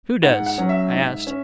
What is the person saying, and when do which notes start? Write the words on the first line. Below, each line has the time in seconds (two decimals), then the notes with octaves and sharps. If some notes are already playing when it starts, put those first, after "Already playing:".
"Who does?" I asked.
0.23 G#2 F#5
0.46 F#5
0.58 F#3 C#4
0.69 E5
0.92 G#2
1.27 C#4